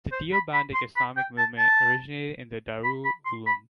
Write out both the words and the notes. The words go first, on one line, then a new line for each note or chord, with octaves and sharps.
The Deobandi Islamic movement originated in the Darul Uloom.
C5
B5
B5
C6
B5
G5
A5
A5
B5
B5
C6
B5